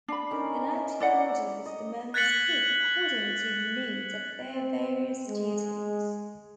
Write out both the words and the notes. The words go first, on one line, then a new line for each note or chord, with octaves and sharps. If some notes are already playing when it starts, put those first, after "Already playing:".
In active orders the members speak according to the needs of their various duties.
D4 B5
C#4 D#4 A#4
E4 D5 F#5 D6
D6
D#5
F#6 G#6 A6 B6 C#7 F#7
C4
G#3